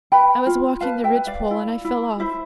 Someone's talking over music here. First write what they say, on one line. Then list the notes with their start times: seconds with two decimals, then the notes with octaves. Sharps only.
I was walking the ridgepole and I fell off.
0.12 B4 G5 B5
0.46 F4
0.81 B4 F5 A5
1.04 E5 G5
1.15 B4
1.27 D5 F5
1.51 E4
1.85 E4
2.20 E4 C5 E5